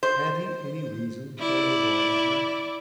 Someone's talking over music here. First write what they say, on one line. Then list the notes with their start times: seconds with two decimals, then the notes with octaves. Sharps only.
Had he any reason for avoiding her?
0.03 C5
1.40 E4 D5